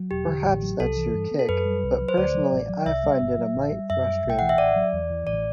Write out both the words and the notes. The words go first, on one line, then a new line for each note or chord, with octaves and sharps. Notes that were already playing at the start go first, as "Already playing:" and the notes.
Perhaps that's your kick, but personally I find it a mite frustrating.
Already playing: F#3
E1 G4
D3
A1
F#3
C2 A4
E3
G2
B3
A4
F#2 B4
G3
C2
F#3
C5
D2 D5
F#3
A1
F#3
C2 E5
G3
G1
F#3
A1
G3
F#2 E5
G3
B1
G5
E3 F#5
E5
A1 D5
F#3
E2
E3
A1 D5